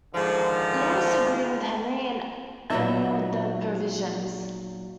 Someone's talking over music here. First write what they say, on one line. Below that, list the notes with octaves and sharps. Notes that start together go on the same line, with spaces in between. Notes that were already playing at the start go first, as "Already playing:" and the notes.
Louis agreed with Henry and annulled the provisions.
G#2 D3 D#3 F3
A#2 F#3 B3 D#4 E5